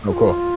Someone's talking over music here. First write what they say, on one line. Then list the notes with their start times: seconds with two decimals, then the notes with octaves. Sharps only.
Oh, cool.
0.08 G#4
0.13 F4